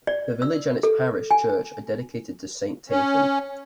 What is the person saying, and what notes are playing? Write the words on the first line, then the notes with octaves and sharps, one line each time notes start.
The village and its parish church are dedicated to Saint Tathan.
D5
E6
A4
G#5
C#4